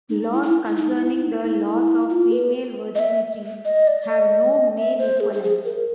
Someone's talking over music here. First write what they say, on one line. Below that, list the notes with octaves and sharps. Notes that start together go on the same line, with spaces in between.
Laws concerning the loss of female virginity have no male equivalent.
D#4
E4
E4
E4
D#4
E4
D#4
E4
F4
B4
D#5
E5
D#5
D5
D#5
E5
C5
G#4
G#4
G#4
A#4